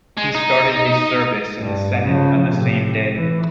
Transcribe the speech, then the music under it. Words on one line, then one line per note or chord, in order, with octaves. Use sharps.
He started his service in the Senate on the same day.
G#3
D#4
G2
C#3 F3
A2 C3
E3